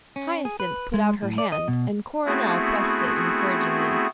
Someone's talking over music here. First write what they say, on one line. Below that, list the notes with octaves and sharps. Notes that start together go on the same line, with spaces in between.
Hyacinth put out her hand, and Coronel pressed it encouragingly.
C#4
G#4
B4
G#3
A2
D5
D#5
B2
A3 B3 C4 E4 F#4 G#4